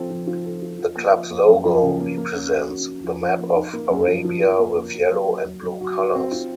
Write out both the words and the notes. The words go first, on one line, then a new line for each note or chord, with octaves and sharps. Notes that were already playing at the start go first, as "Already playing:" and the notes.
The club's logo represents the map of Arabia with yellow and blue colors.
Already playing: F3 C4 A4
F3
F4
A4
F4
F3
A#3
F3
A#3
F#2
F3
C#3
A#3
A#3
C#4
F#4
C#4
C#4
F3
F3
A#3
D#4
A#3
F#2
F3
F3
F3
A#3
A#3
F#4
F#3
F#3
F#3
F#3
F#4
F#4
C4
F4